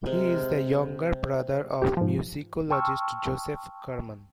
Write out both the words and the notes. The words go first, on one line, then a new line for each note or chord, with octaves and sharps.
He is the younger brother of musicologist Joseph Kerman.
C3 G#3 A#4
G4
G#2 F3
G5 A5 C6 C#6 E6 F6